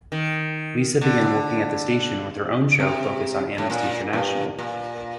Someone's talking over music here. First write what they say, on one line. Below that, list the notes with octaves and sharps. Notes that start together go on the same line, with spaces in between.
Lisa began working at the station with her own show focused on Amnesty International.
D#3
D3
C3
A2
A#2
G2
A#2